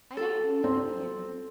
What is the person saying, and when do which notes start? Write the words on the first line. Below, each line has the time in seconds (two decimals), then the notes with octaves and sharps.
I didn't know him!
0.17 A4
0.64 C4